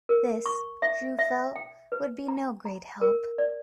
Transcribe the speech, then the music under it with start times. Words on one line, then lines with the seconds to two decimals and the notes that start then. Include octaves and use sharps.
This, Drew felt, would be no great help.
0.09 A#4
0.46 C#6
0.82 E5
1.19 E5
1.56 G5
1.92 B4
2.28 A#5
2.65 A#5
3.01 A#4
3.38 D5